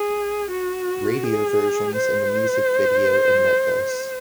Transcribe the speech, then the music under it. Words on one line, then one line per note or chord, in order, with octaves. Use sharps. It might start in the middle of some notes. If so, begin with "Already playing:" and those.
Radio versions, and the music video, omit this.
Already playing: G#4
F#4
G#4
C5